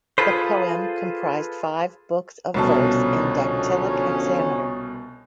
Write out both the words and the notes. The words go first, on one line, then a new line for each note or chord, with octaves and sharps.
The poem comprised five books of verse in dactylic hexameter.
F4 G#4 A4 B4 C5
C2 B2 D3 F3 C#4 A5